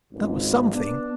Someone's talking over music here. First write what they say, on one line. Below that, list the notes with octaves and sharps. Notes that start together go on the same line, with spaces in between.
That was something.
G#1 C#2
B3 D4